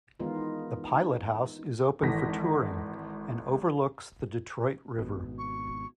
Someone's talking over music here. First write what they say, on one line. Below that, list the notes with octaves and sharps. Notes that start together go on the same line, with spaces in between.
The pilot house is open for touring and overlooks the Detroit River.
D#3 E3 G#3 B3 D#4 F4
G#1 E3 A4 A#6 B6
G#1 B2
C#6